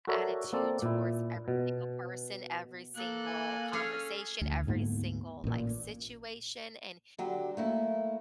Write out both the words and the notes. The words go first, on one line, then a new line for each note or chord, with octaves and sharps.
attitude towards every single person, every single conversation, every single, like, situation, and
F#4 A4 A#4 C#5 D5 E5
A#3 C4 A4 D5
A#2 E4
B2
A#3 A4 F#6
G#5
C#4 G#4 A4 F6
D2
D2 G#2 A#3 B3
A1 A#2
D3 F#3 G4
A3 A#3 E4